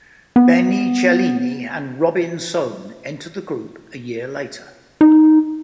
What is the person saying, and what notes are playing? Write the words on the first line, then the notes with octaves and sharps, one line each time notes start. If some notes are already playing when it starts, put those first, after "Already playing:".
Benni Cellini and Robin Sohn entered the group a year later.
B3
D#4